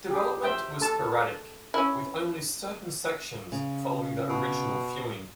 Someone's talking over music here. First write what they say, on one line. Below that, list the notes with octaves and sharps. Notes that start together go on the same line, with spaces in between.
Development was sporadic with only certain sections following the original feuing.
G4 G#4
C5 E5 G5
A4 A5
C#4 E4
C#3
B2